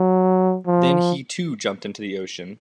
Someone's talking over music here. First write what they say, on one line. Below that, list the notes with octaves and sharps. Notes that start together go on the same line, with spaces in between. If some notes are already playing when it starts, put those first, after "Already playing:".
Then he too jumped into the ocean.
Already playing: F#3
F3